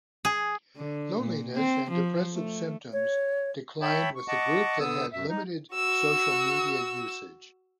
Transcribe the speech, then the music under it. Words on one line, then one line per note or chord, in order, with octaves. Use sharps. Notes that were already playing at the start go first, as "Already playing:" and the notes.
Loneliness and depressive symptoms declined with the group that had limited social media usage.
G#4
D3
A#2
C4
F3
A3
C#5
C#5 E5 G5 A5 B5
C#6
D#5 F#5 A5 C#6 D6
D3 B3 D#6 E6
F#2 E5
D#4
F#4 E6